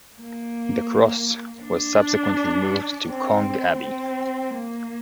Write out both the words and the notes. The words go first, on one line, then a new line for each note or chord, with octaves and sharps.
The cross was subsequently moved to Cong Abbey.
A#3
D4
C4
C4
A#3